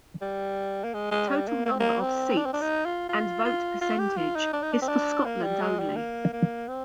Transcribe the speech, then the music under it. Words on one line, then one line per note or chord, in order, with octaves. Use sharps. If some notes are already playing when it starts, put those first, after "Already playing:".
Total number of seats, and vote percentage, is for Scotland only.
G3
A#3
G#3
G#3
G3
A#3
A#3
C4
A#3
C4
D4
C4
D4
D#4
F4
F4
F4
F4
G4
F4
D#4
D4
D#4
D4
C4
D4
A#3
G3
G#3
G3
A#3
A#3
C4